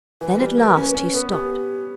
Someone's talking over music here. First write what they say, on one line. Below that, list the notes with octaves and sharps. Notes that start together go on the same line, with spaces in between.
Then at last he stopped.
E3 B4
G3
A#3
C#4
C#4
B3
B3 G4